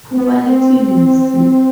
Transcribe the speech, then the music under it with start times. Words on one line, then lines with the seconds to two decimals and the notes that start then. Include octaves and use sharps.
Poor little Lizzy!
0.17 B3
0.46 C4